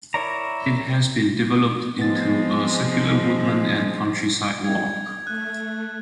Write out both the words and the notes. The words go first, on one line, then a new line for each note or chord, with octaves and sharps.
It has been developed into a circular woodland and countryside walk.
E4 A#4 C#5 D5 A#5
F3 G#3 B3 C4 A6
G#6
A3 F#6